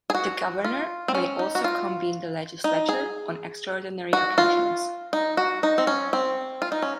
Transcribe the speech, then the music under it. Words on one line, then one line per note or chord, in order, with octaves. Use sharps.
The governor may also convene the legislature on "extraordinary occasions".
G#4
F#4
F4
C4
C#4
D#4
F#4
F4
D#4
G#4
F#4
F4
D#4
F#4
D#4
C4
C#4
C4
F4
D#4
C#4